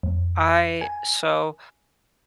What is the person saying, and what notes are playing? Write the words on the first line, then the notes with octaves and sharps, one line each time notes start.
I so,
F2
G#5